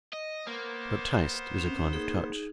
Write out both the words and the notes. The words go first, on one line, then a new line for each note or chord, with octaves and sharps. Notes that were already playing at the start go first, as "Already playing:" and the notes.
But taste is a kind of touch.
D#5
A#3 B3 C5
C4 C#4
D#4 G#4